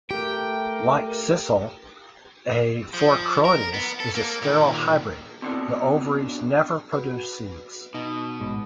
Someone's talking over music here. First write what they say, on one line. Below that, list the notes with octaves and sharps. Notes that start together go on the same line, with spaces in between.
Like sisal, "A. fourcroydes" is a sterile hybrid; the ovaries never produce seeds.
A3 G4 A#4 G5
F3
A#4
B3
A4
A#3
A#2 D#3
B2 D3 C4 D4 E4
F#4 B4
B2 D#4
A1 G#2 G#3